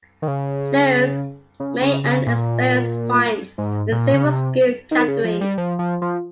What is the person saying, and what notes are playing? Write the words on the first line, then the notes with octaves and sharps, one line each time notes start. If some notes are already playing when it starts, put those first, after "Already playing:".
Players may earn experience points in several skill categories.
D#3
C#3
C#3
C#3
C#3
A#2
G#2
A#2
C#3
C3
D#3
C#3
F3
G3
F3
F3
F3